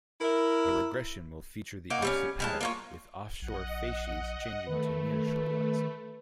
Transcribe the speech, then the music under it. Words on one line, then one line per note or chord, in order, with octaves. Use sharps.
A regression will feature the opposite pattern, with offshore facies changing to nearshore ones.
E4 A#4
A#3 D#4 F#4
G3 C4 C#4
G3 G#3 A5
A#3 F4 C#5
A#1 D#5 F#5
D#3 A3 B4